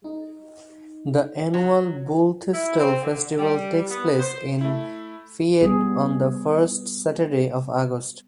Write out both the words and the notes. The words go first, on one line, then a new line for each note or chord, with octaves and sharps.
The annual Bullthistle Festival takes place in Fayette on the first Saturday of August.
D#4
F#3
E4
C4
D3
G3
B3
C5
A3 E4
G3 B3 G#4